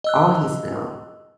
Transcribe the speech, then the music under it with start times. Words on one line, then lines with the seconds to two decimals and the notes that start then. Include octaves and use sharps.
all he's known,
0.04 D#5 E6 F#6